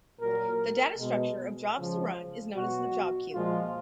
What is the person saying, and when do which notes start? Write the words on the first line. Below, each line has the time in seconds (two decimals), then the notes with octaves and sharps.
The data structure of jobs to run is known as the job queue.
0.19 A#2 F#3 A#4
0.98 B2 G#3
1.77 C#3 F3 G#3
2.54 B2 F#3 F#4
3.33 A#2 F3 G#3 F4